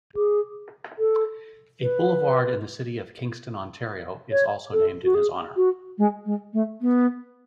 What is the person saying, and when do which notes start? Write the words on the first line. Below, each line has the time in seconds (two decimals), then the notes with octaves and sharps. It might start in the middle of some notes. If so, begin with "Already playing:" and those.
A boulevard in the city of Kingston, Ontario, is also named in his honour.
0.15 G#4
0.98 A4
1.82 B4
4.31 C#5
4.73 A4
5.04 F#4
5.14 G#4
5.56 F#4
5.98 G#3
6.25 G#3
6.53 A3
6.81 B3